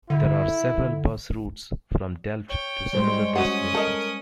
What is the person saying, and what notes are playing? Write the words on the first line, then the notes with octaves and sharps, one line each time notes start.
There are several bus routes from Delft to similar destinations.
D3 E4
C#5 G5
G3 G#3 C5 C#5
C#4 F#4 F#5 D#6
A4 A#4 D#5